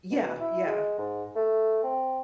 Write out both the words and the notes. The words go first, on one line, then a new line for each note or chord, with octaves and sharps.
Yeah, yeah.
B2
E4
G#3
G#2
A3
C4